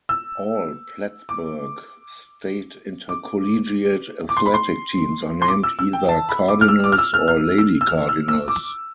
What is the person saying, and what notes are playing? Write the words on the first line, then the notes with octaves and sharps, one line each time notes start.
All Plattsburgh State intercollegiate athletic teams are named either Cardinals or Lady Cardinals.
E6
D6
D6
D6
C6
B5
C6
C6
D6
E6
E6
G5
A5
B5
D6
F6
E6
D6
F6
E6
F6
F6
E6
E6
F6
E6
E6
D6